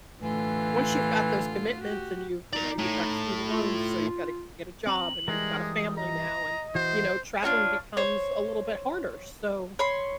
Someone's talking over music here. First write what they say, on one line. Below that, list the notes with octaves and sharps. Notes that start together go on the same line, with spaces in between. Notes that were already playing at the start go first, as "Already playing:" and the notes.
once you've got those commitments and you've, you know, you've got student loans, so you've gotta get a job, and you've got a family now, and, you know, traveling becomes a little bit harder, so,
A2 D3 E3 F4
F#4 G4
D#4 D5 A#5
A2
F4
C4 A#5 F#7
E3 G3 G#3 A#4
D#6
D#5 A#5
E3 F#4 C5
D4 F4 F#4 C#5
C5 C#5
C#5 B5 C6